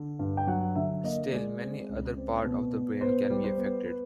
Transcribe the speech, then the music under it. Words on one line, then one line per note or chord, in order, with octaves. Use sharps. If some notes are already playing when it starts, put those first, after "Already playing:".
Still, many other part of the brain can be affected.
Already playing: D3
G2
G5
F#3 F#5
D3 E5
A#3 D#5
G#3 D5
C4
C#2
C4
B2
B2
B3 C5
G3
C5
B3
B4